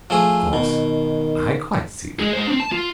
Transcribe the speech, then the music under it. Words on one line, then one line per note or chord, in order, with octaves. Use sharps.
Of course I quite see that.
F3 A3 G#4
B2 D#3
G#3 G#4
G#3 C5
C4 D4
A5
F4